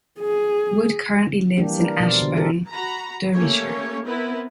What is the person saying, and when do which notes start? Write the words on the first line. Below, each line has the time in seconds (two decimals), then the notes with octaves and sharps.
Wood currently lives in Ashbourne, Derbyshire.
0.20 G#4
1.57 E3 G3 A#3 D4 G4
1.80 A#4
2.00 B2 F3 F4 D5 F5
2.22 D3
2.37 F4 G4 A4 A#4
2.69 F#4 A#5 B5
3.33 A3 A#3 C#4 G4 C#5
4.05 B3 C4 E4 A#4 B4